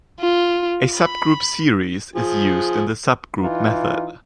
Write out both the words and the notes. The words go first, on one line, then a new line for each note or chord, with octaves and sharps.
A subgroup series is used in the subgroup method.
F4
B5
F3 G#4
E3 D#4 F4